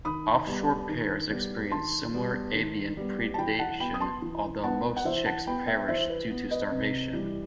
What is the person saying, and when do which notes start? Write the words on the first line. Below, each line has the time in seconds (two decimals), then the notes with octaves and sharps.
Off shore pairs experience similar avian predation although most chicks perish due to starvation.
0.05 D#3 B5 D#6
0.47 G3 B3
0.89 D#3
1.30 G3 B3
1.71 D#3 A5 C6
2.14 G3 B3
2.55 D#3
2.97 G3 B3
3.34 A5
3.38 E3 G5 B5
3.59 F#5 A5
3.80 B3 G5 B5
3.94 D#6
4.01 A5 C6
4.22 E3
4.63 B3 F#5 A5
4.97 F#5
5.05 E3 C5 E5
5.26 F#5 A5
5.47 B3 G5 B5
5.67 E5 G5
5.88 E3 C5 E5
6.09 B4
6.30 B3
6.51 B4 D#5
6.72 C3
7.13 E3 G3